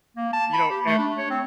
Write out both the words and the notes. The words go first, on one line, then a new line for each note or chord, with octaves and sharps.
you know, and
A#3
A5
B5
G4
A3
D4
C#5
C4